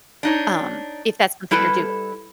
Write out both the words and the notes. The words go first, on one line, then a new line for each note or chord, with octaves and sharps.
Um, if that's something you're doing.
D4 D#4 C#5
G3 E4 A4 B4